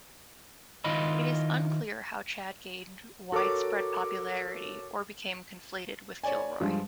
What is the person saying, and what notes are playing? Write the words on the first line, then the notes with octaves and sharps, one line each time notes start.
It is unclear how Chad gained widespread popularity or became conflated with Kilroy.
D#3 E4 F4 D#5 B5
F#4 A4 A#4 C#5 D6
C#5 D5 G#5
G2 F3 G3 G#3